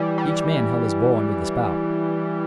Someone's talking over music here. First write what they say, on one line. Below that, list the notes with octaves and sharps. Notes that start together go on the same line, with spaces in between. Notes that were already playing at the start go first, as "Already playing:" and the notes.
Each man held his bowl under the spout.
Already playing: E3 G3
G3